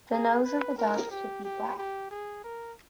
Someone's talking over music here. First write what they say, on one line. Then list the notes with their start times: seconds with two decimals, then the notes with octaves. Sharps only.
The nose of the dog should be black.
0.12 G#4
0.44 B4
0.78 A#4
1.11 G4
1.45 G4
1.77 G4
2.11 G#4
2.44 A#4